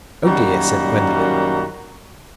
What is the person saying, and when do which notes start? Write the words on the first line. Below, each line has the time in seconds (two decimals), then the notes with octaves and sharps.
"Oh dear!" said Gwendolen.
0.25 F#2 A#2 D#3 G3 F#4 A#5